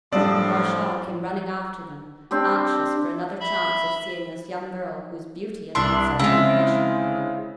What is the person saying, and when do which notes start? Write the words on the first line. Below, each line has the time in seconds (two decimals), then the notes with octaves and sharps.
Martial came running after them, anxious for another chance of seeing this young girl whose beauty had made such an impression upon him.
0.13 F#2 A2 F3 G3 D4 D5 D#6 E6
2.31 C4 D4 G4
3.40 E5 B5
5.75 C2 D4 E4 C6
6.19 C#3 G#3 C4 E4 F4